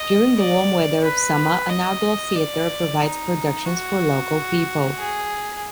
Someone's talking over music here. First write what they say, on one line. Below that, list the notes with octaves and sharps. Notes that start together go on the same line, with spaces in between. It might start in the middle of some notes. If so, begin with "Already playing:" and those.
During the warm weather of summer an outdoor theater provides productions for local people.
Already playing: D#5
D5
B4
D#5
D5
D#4
F#4
G#4